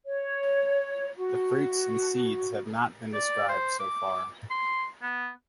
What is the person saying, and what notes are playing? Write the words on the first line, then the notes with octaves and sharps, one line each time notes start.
The fruits and seeds have not been described so far.
C#5
F#4
D5
C5
D6
C6
B3